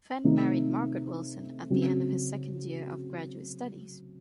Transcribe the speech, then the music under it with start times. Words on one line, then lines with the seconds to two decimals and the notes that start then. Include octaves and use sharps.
Fenn married Margaret Wilson at the end of his second year of graduate studies.
0.24 C3 D#3 A3 D#4
1.70 C#3 F#3 C4 F#4